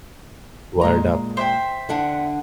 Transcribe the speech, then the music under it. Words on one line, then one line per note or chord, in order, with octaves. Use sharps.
Word up!
A#2 G#3 A#5
C5 E5 G5
D3 D4 F#5